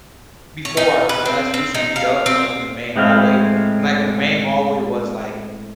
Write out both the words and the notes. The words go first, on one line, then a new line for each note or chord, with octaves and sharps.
before our class, we used to meet up, like, in the main hallway, and, like, in the main hallway was, like,
C#5
D#4
B4
C4
C4
D#4
F5
C4
A2 G#3 C4 E4 F5